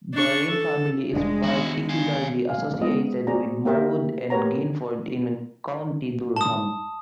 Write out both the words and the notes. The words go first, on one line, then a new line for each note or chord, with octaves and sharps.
The Rayne family is particularly associated with Marwood and Gainford in County Durham.
D4 C#6
A4
F1 G#3 D4
D#3 E3 B3 E4 F#4
F5 G#5
F5 G#5
G#3 B3 C4 D#5
C4 F#4 G#4 D5 G#5 A#5
A#3 G4 A#4 E5 G5
G4 A#4 B4 C#5 F#5 A#5
A5 D#6